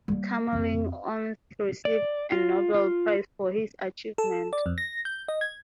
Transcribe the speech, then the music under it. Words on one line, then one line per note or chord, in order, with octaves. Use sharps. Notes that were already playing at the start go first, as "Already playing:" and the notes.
Kamerlingh Onnes received a Nobel Prize for his achievement.
G3 A#3
F2 C4
D5
F4
F4
A4
D5
F2
A#6
G6
D#5
G#6